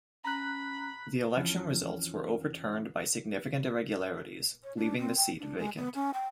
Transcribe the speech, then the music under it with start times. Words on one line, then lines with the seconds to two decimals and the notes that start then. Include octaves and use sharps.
The election results were overturned by significant irregularities leaving the seat vacant.
0.24 C#4 A#5 B5 F#6
1.36 F2 E3 F3 C#4
4.64 C#5
4.77 D4
4.99 C4
5.17 G5
5.39 D4
5.58 G#3
5.78 B3
5.95 C#4
6.14 G5